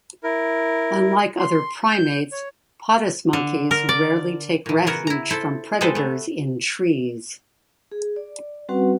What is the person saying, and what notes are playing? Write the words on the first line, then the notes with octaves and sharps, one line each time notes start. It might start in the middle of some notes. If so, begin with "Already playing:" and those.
Unlike other primates, patas monkeys rarely take refuge from predators in trees.
E4 A#4
C6
G6
C#5
D3
A#4
D5
A#2 E3
C#3 B3 F#4 A#4 C#5
E4 A#5
E4 A4 C5
G#3 C4 G#4 A4 B4 C5
A3 B3
G#4
D5
G3 C4 C#4 F#4 B4 F#5